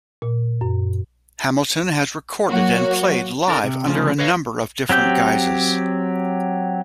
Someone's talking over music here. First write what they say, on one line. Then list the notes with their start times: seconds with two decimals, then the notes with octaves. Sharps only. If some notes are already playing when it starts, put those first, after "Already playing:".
Hamilton has recorded and played live under a number of different guises.
0.22 A#2
0.61 F#2
2.48 F#3 A#3 F#4 C#5
3.48 D4 A4 A#4
3.64 C3
3.87 D2 C#3 F3
4.19 B4 C#5 D#5 F5
4.89 F#3 C4 G4 G6